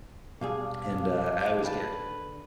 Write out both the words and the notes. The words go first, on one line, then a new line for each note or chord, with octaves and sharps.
And, uh, I always get
B2 G3 D4 G#4 F5
D3 B4 G5 A5